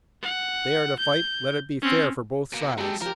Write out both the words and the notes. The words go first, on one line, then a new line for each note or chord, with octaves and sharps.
If they are to fight, let it be fair for both sides.
F#5
G6
C4 C#4
B2 A#3
F#3 G#3 G4 A4
F3 G4 A#4